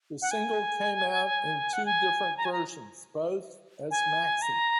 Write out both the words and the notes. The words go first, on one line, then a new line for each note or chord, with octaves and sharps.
The single came out in two different versions, both as maxi.
F#5
G#5
F#5
G#5
A#5
G#5
A#5
G#5
A#5